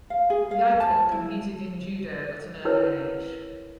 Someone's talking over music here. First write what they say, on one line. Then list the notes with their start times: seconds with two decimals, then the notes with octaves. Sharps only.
Jaeckel competed in Judo at an early age.
0.10 F5
0.30 G#4
0.51 F5
0.80 A5
1.12 E4
2.65 E4 A#4 B4 C#5